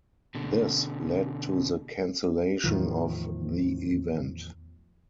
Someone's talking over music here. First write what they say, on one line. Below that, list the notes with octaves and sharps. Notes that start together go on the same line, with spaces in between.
This led to the cancellation of the event.
B2 D3
E2 A2 D#3 F3